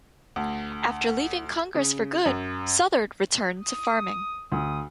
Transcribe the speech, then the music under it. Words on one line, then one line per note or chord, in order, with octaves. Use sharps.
After leaving Congress for good, Southard returned to farming.
D2
C#3
F#2
D#6
D2 D#6